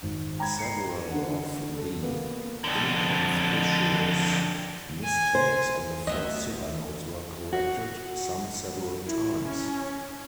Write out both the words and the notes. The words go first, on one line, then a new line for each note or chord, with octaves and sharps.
Several of the inconspicuous "mistakes" on the first supernotes were corrected, some several times.
G#1
G5 A#5 B5 G#6
C7 C#7
D3 F#5
A4
A#3 B3
F2 D3
G#5
C5
D2 C3 B3 D#5 E5
F#4
E4
C#4